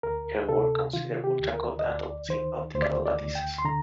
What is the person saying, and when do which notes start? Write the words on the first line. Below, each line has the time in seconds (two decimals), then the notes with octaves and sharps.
Her work considered ultra cold atoms in optical lattices.
0.03 D2 A#4
0.49 C3 A4
0.93 D#3 F4
1.24 G4
1.39 D2
1.54 A#4
1.79 D#5
1.85 D2 D5
2.29 D#3 C5
2.74 D2 C5
2.82 D5
2.91 C5
3.06 D5
3.20 D2
3.35 G5
3.58 C6
3.65 D3 A#5